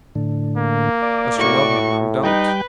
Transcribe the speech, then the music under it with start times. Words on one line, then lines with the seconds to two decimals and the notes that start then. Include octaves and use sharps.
"As you love me, mum, don't!"
0.15 A2 D3
0.58 A#3
1.02 D5
1.37 A2 F#4 C#6
2.24 G3 D#4 B4 G5